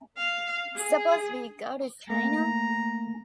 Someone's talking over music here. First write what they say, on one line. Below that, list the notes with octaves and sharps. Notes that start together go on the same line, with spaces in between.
Suppose we go to China..
F5
G#4
A3 A#3 A#5